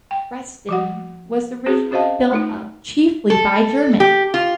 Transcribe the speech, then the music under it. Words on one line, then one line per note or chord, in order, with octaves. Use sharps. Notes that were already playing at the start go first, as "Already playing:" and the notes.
Creston was originally built up chiefly by Germans.
G5
F3 F#4 F#5
C4 F#4 G#4 B4
C#4 F#4 C5 D#5 F5 A5
A3 D#4 F4
A4
G4
F4